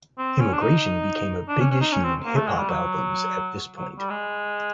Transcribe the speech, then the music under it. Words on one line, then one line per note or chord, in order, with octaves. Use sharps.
Immigration became a big issue in hip hop albums at this point.
C4
C#4
D4
D#4
D4
C#4
C#4
D#4
C#4
C4
A#3
A3
G#3
G3
F#3
F#3
G3
G#3